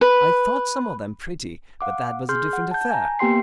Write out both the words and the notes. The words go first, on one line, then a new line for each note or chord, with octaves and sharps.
I thought some of them pretty--but that was a different affair.
B4
F5 F#5 D6
G#4 C6 F6 G6
F#5
A5 G6
G#5 A#5
A#3 B3 G4 G5 C6 C7